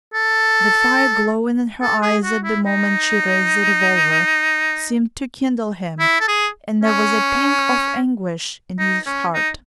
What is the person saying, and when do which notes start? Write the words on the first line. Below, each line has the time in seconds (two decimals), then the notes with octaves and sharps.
The fire glowing in her eyes at the moment she raised the revolver seemed to kindle him and there was a pang of anguish in his heart.
0.14 A4
1.82 A4
2.02 G#4
2.23 F#4
2.44 E4
2.65 D#4
6.00 E4
6.21 A4
6.28 G#4
6.84 C#4
8.79 D#4
9.06 C#4
9.34 D#4